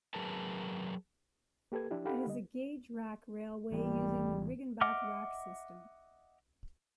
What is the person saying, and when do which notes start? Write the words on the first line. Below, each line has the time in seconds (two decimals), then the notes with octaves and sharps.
It is a gauge rack railway using the Riggenbach rack system.
0.14 F#3 G#4 A#4 B4 A5
1.72 A#3 G4 A4 B4 G#6
1.91 F3 D4 E4 G4
2.05 D#4 G4 A4 F5 F#5 B5
2.27 D3 G3 D#5
3.71 G#1 E3 G3 B3
4.81 D#5 E5 F#5 D6 F6